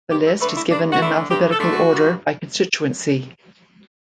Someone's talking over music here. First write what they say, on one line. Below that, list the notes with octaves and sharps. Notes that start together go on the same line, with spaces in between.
The list is given in alphabetical order by constituency.
G2 G4
A4
D3 A3 B4
E4
G2 D4
F#4
D3 A3 E4
G2 G4
A4
D3 A3
F#4
G2